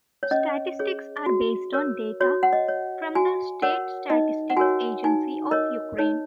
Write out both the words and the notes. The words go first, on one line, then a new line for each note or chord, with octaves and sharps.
Statistics are based on data from the State Statistics Agency of Ukraine.
C#5
C#4 D#5
G#4 C#5
F#4
A#4 C#5
F#4 C#5
F#5
D#5
C#5
F#4 G#5
A#4 C#5 F#5
D#4 D#5
F#5
F#4 A#4 C#5 G#5
D#4 G#5
A#4 C#5 D#5
D#4 C#5